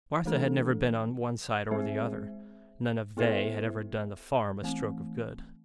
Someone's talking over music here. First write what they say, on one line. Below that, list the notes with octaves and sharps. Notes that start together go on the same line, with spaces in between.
Martha had never been on one side or the other; none of “they” had ever done the farm a stroke of good.
E3 A3 D4 A4
G#3 C4 G#4 C5 E5
B3 E4 A4 C5 E5
E3 A3 C4